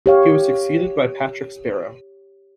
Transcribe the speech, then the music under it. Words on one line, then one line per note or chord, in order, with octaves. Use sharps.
He was succeeded by Patrick Sparrow.
G4 C#5 F5